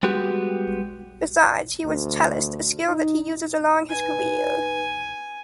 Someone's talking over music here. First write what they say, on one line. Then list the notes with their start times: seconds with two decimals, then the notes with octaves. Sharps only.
Besides, he was cellist, a skill that he uses along his career.
0.03 G3 G#3 B3 F#4 G4
1.85 D2
2.88 D#4
3.90 D#4 B4 G#5